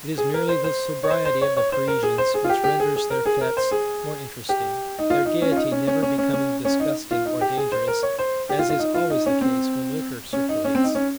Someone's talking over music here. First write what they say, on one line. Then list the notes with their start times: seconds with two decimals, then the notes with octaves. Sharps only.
It is merely the sobriety of the Parisians which renders their fetes more interesting, their gaiety never becoming disgusting or dangerous, as is always the case when liquor circulates.
0.18 G#4
0.34 A#4
0.49 C5
0.64 C5
1.03 C#5
1.10 C5
1.25 C5
1.41 C#5
1.57 C#5
1.72 C5
1.88 A#4
2.03 G#4
2.18 C5
2.34 G#4
2.44 F4
2.49 G4
2.64 G4
2.80 G#4
2.96 G#4
3.10 A#4
3.26 G#4
3.41 A#4
3.57 C5
3.71 G#4
4.49 G4
4.99 D#4
5.10 F4
5.25 D#4
5.42 C#4
5.52 F4
5.56 D#4
5.72 C#4
5.87 C#4
6.02 C#4
6.18 C#4
6.33 C#4
6.65 C#4
6.80 D#4
7.11 F4
7.25 D#4
7.41 G4
7.57 G#4
7.72 C5
7.88 A#4
8.03 C#5
8.19 C5
8.49 G4
8.59 F4
8.69 F4
8.79 D#4
8.94 F4
9.10 D#4
9.26 C#4
9.41 C4
10.33 C#4
10.49 D#4
10.64 C#4
10.75 C4
10.84 D#4
10.95 C#4